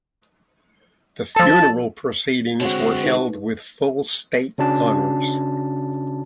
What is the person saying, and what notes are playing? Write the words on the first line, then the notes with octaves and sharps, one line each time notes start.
The funeral proceedings were held with full state honors.
F3 A4 A5
D3 G#3 C4 F#4 C#5
D#4 B4
C#3 C#4 D4 F#4 A5